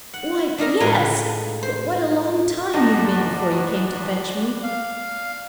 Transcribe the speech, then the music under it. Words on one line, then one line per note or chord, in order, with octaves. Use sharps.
"Why, yes; but what a long time you have been before you came to fetch me."
F#5
D4 D#4 A#4 A#5
A2 G#3 F4 B4 C#5 G#5
C5
D2 G2 D4 D#4 F#5 A#5
F5